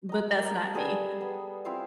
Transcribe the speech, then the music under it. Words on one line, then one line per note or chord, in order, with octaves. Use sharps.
but that's not me,
D#5 A#5
A#3
G3 B3 G#4 A4
B3
C4 E4 F4 F5